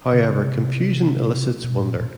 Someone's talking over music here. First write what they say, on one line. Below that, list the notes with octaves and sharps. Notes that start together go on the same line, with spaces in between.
However confusion elicits wonder.
C#3
C3
B2
A2
A#2
A#2